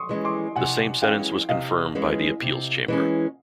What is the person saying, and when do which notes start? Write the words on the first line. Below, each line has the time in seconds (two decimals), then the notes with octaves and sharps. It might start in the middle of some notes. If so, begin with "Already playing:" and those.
The same sentence was confirmed by the appeals chamber.
Already playing: C6 C#6 D#6
0.09 E3 G#3 C#4
0.25 C6 D6
0.56 C3 F#5 G#5
1.02 E3 G#3 C#4 F5 G5
1.49 C3 D#5 F5
1.95 E3 G#3 C#4
2.42 C3
2.88 E3 G#3 C#4